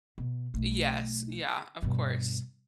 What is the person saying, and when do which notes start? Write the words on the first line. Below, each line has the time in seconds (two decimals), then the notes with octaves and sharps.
Yes. Yeah, of course.
0.18 B2
0.54 B1 A3
1.82 G2 B2